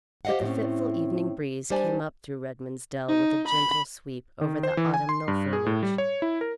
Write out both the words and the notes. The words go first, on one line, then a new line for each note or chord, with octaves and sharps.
But the fitful evening breeze came up through Redman's Dell, with a gentle sweep over the autumnal foliage.
G4 C5 D#5 F5 F#5
A2 C4 C#4
G3 D4 C5 D5 G#5 A5
D#4
B5
D#3
C5
E3
G#5
C6
G2
G#4
A2
G3
C#5
E4
A#4